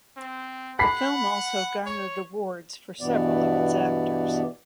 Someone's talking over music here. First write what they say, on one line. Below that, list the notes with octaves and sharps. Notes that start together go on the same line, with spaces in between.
The film also garnered awards for several of its actors.
C4
F#5 B5 B6 C7
C#5
G2 B2 E3 B3 D5